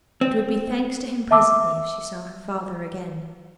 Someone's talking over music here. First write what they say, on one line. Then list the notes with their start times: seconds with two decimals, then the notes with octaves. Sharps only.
It would be thanks to him presently if she saw her father again.
0.21 C4
1.31 E5 A5 D6 E6